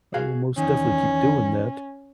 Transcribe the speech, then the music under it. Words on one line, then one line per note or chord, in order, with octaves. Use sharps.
I will most definitely keep doing that.
F#4 G#4 F5
E2 D#3 C#4